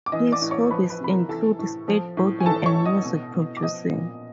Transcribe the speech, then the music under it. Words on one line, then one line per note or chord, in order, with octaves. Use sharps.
His hobbies include skateboarding and music producing.
D6
E3 D#5 D#6
D5 D6
A2
C#5 C#6
F3 B4 B5
B4 B5
C3 B5
A#4 A#5
E3 A4 A5
A2
F3
A2
G#5
E3 A4 A5
C#5 C#6
A2
D#5 D#6
B2
B2
D6
F3 D#5 D#6
A#2